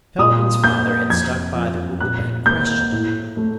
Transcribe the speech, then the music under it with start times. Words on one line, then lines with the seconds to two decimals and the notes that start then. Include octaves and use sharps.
Feldman's father had stuck by the rule but had questioned it.
0.18 A#2 D#6
0.64 A#3 G6
1.10 F2 G#6
1.55 F3
2.00 A#2 F#6
2.46 A#3 G6
2.92 A2
3.37 A3